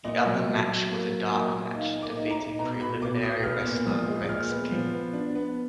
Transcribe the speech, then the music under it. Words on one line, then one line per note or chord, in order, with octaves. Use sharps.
The other match was a dark match, defeating preliminary wrestler, Rex King.
A#2 D#5
F#3
F#3
F#3
A#3
F#3
A#2
A#2
D#4 F5
A#3
D6
D#4
A#5
D#4
B2 A#5
B2 B5
B2 D6
B2 D#6
B3 F6
A#2
F3 D#6
G#3
A#2 F6
B3
F3
B3
D4
B3